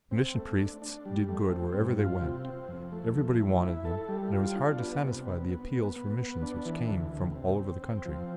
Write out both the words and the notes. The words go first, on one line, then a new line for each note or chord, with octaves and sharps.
The Mission Priests did good wherever they went; everybody wanted them, and it was hard to satisfy the appeals for missions which came from all over the country.
C4
A3
D4
D4
G3
A3
C4
G2
F4
C3
C4
F2
A3
F2
E4
E4
A4
G3
F4
D4
B3
C3
B3
B3
B3
B3
B3
D4
E3
D2
D2
C3
C4
C4
F3